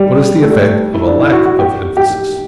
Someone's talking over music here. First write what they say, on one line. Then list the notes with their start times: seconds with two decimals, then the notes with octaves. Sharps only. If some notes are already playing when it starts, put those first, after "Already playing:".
What is the effect of a lack of emphasis?
Already playing: G3
0.42 A3
0.51 G3
0.61 A3
0.94 E4
1.07 D4
1.20 E4
1.32 F#4
1.46 F#4
1.59 G4
1.97 G4